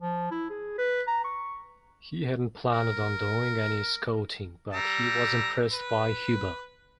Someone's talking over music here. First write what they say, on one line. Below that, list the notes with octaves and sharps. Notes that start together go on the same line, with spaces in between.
He hadn't planned on doing any scouting, but he was impressed by Hubbell.
F3
E4
G#4
B4
A#5
C#6
A#4
G3 A#5 E6
B4